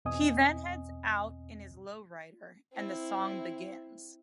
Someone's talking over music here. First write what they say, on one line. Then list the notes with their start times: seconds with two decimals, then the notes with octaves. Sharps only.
He then heads out in his lowrider and the song begins.
0.05 E2 B2 C4 D#5 G#5 D#6
2.73 C4 E4